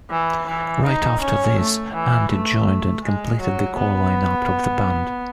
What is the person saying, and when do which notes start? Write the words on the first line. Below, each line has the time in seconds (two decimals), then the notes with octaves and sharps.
Right after this Andy joined and completed the core lineup of the band.
0.10 E3
0.47 E3
0.84 D#4
1.21 C#4
1.58 A3
1.94 E3
2.31 A3
3.04 G#3
3.40 F#3
3.78 B3